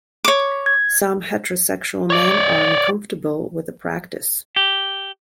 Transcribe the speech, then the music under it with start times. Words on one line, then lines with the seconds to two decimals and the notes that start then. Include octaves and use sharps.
Some heterosexual men are uncomfortable with the practice.
0.25 C#5 D6
0.66 G#6
2.10 C#5 D5
4.56 G4